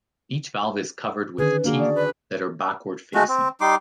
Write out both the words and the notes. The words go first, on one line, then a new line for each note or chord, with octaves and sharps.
Each valve is covered with teeth that are backward-facing.
D3 D#3 C#4 G#4 B4
A#3 D4 F#4 G#4
D5
B4
G#3 A3 F#4
C4
G3 D#4 C6 D6